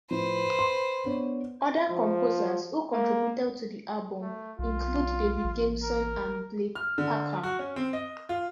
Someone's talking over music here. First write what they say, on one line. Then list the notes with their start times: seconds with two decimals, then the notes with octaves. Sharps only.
Other composers who contributed to the album include David Gamson and Blair Packham.
0.11 A2 F3 B4 C5
0.59 C6
1.05 B3 D4 C#5
1.90 F3
2.92 A#3
4.21 A3
4.59 B1 F4
5.44 A1
5.82 A#4
6.75 F6
6.98 D3
7.43 F#4
7.59 C#4
7.76 C4
7.93 D#5
8.29 F4